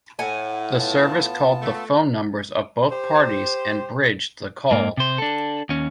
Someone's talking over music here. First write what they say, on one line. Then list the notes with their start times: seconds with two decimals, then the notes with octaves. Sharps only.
The service called the phone numbers of both parties and bridged the call.
0.19 A2 F#5 G#5
0.79 B3 F4 A5
1.61 A3
2.91 G4 C5
4.71 G#2 A#3
4.97 C3 C5
5.18 D4 A4
5.69 D#2 C#4